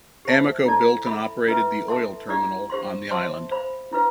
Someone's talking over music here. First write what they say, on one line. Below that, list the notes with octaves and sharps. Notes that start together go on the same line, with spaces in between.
Amoco built and operated the oil terminal on the island.
G4 C5 E5 A5
E4 A4 D5 A5
A4 E5 B5
E4 B4 E5
A4 E5 A5 C6
E4 G4 D5 F5
G4 C5 F5 C6
C5 E5 A5 C6
C5 F5 B5
E4 B4 F5